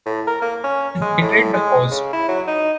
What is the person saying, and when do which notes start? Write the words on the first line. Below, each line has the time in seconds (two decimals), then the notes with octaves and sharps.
He's betrayed the cause.
0.06 A2
0.27 A#4
0.42 A#3
0.64 C#4
1.02 G#3
1.21 A2
1.54 G#3
1.91 C#3
2.13 E4
2.28 F#3
2.47 D#4